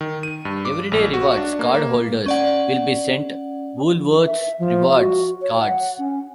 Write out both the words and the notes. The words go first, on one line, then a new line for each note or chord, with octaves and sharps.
Everyday Rewards cardholders will be sent 'Woolworths Rewards' cards.
D#3
D#7
G2
D6
A#1
F#4
D4
A#3
A#3
C#4 D5 F#5
E5
F3
F#4
C#5
F#5
C#4